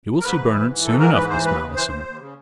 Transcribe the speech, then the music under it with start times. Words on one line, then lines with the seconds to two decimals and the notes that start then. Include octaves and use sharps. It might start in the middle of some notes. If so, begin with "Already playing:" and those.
"You will see Bernard soon enough, Miss Malleson."
0.20 A#4
0.24 G#2 B4
0.39 E3
0.54 G#2
0.70 E3
0.85 G#2 A4
0.99 E3 A#4
1.15 G#2 B4
1.30 E3 C5
1.45 D#2 B4
1.60 C#3
1.75 E3 C5
1.90 D#2
2.05 D#2
2.20 C#3